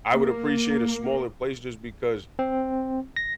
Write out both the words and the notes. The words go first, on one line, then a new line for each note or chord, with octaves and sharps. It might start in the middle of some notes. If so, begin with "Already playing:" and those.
I would appreciate a smaller place just because
A#3
C4
A#6